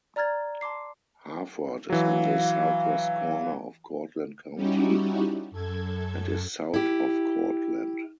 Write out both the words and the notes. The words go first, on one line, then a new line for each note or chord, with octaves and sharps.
Harford is in the southwest corner of Cortland County and is south of Cortland.
D5 A#5 F6 G#6 A6
A5 C6 D6 C7
E3 F#3 F5
G3 C#4 D#4 E4 F#4 G4
F#2 A4 G#6
E4 G4